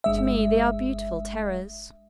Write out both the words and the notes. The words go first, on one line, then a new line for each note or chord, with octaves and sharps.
To me they are beautiful terrors.
G1 G#3 E5